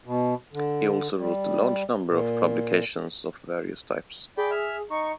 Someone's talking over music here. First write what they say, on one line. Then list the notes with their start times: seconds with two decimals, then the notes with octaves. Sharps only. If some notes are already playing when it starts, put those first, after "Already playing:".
He also wrote a large number of publications of various types.
0.06 B2
0.53 D3
1.18 G3
2.08 A#2
4.37 G#4 D5 G5 B5
4.51 E5 F6
4.90 D#4 C#6